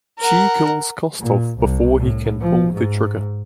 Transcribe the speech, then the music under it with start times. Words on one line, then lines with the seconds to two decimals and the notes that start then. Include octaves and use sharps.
Chi kills Kostov before he can pull the trigger.
0.19 A#4 F#5
1.19 A#2
1.59 C2
1.99 A2
2.41 F3
2.73 G#2